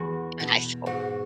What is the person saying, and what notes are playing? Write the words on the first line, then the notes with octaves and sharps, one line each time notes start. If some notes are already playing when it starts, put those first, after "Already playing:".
in high school.
Already playing: E2 F#4
B2
G#2 F#4